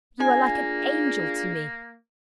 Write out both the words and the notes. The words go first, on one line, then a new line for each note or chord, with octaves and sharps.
You are like an angel to me.
A#3 D4 F4 G#4 G#5